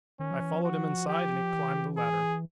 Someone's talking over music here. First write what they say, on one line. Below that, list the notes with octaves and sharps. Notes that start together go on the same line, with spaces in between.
I followed him inside and he climbed the ladder.
D#3 C#4
F3
E3
F3
F#4
G4
E3
G#4